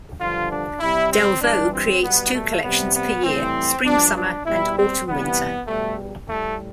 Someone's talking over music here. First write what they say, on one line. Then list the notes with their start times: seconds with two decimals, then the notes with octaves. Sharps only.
Delvaux creates two collections per year, Spring-Summer and Autumn-Winter.
0.20 G2 D3 F3 F4
0.50 D4
0.80 C3 G3 E4
1.10 C4
1.41 G2 E3 G3 D4
1.71 C4
2.02 B2 G3 B3
2.33 A3
2.62 C3 G3 B3
2.93 B3
3.23 A2 E3 G3 C4
3.85 G2 F3 D4
4.15 D4
4.46 B2 G3 E4
4.76 C4
5.06 C3 E3 G3 B3
5.67 B2 G3 A3
6.27 A2 A3
6.33 G3